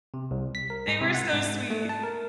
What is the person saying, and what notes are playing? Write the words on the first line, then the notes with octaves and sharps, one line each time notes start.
They were so sweet.
C3
C2
B6
A#4
G#2
C3
F#5
G#2
A3
A5
A#4